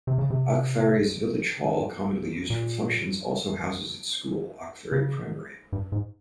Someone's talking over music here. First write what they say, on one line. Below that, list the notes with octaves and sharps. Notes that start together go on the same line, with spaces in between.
Achfary's village hall, commonly used for functions, also houses its school, Achfary Primary.
C3
C#3
C3
A#2
C#3
G2
G#2